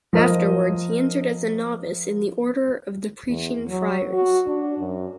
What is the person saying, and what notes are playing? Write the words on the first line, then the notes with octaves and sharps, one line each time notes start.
Afterwards he entered as a novice in the Order of the preaching friars.
F3 A#4 D#5
E2
F#3
F#4
D4
F#2